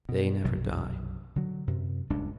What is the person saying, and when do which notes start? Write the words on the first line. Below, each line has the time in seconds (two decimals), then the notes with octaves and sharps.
They never die.
0.09 B2
0.44 B1 F#2 C3 F#3
1.36 D3 F#3
1.67 F#2 C3
2.10 D#1 C#2 G2 D4